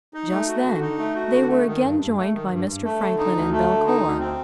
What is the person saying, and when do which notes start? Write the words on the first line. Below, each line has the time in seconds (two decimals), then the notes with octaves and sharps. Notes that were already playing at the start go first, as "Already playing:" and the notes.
Just then they were again joined by Mr. Franklin and Belcour.
0.14 D#4
0.31 A3
0.48 F#4
0.65 D3
0.81 D#4
0.98 A3
1.15 F#4
1.32 D3
1.49 A3
1.66 D#3
1.82 G2
2.00 G2
2.16 A3
2.34 D#3
2.51 G2
2.67 G2
2.84 A3
3.01 D3
3.18 D#4
3.35 D2
3.52 A3
3.68 D3
3.86 D#4
4.03 D2
4.19 C4